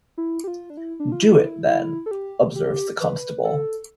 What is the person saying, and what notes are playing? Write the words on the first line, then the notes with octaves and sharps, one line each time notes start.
"Do it, then," observes the constable.
E4
G4
F4
D4
E4
D4
F4
E4
E4
E4
A4
G4
G4
B4
A4